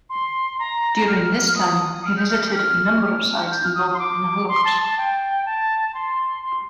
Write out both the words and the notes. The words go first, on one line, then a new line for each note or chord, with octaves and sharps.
During this time, he visited a number of sites involved in the Holocaust.
C6
A#5
F6
D#6
F6
G6
F6
G6
F6
F6
G6
F6
D#6
D#6
C6
D6
C6
A5
A5
G5
A5
C6
C6